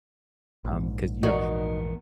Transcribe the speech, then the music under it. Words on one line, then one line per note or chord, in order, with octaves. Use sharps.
um, 'cause, you know,
A#1 G#2
E2 B3 D#4 F#4 A#4